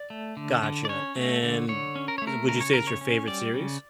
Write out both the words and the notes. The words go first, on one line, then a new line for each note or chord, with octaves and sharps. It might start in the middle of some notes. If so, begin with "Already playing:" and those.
Gotcha, and is it would you say it's your favorite series?
Already playing: D5
A3
D3
D3
D5
C#4 C#5
A3
D3
D3 C#5
C#4
A#4
A3 C#5
A#4
C#3 A#4
C#5
C#3 A#4
C#5
C#4
G3 D5
C#3